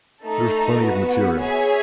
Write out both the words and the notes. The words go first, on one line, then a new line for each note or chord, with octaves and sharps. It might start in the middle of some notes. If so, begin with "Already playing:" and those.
There is plenty of material.
A3 D#4 A4
B3 F#4 B4
G#4 C#5 E5 G#5